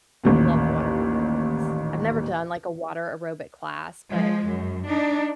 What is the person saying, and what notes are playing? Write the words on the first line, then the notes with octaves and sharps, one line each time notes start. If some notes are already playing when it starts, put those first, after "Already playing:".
I love water aerobics. I've never done, like, a water aerobic class, but
A1 D#2 A#2
F3 G#3
F#2
D4 D#4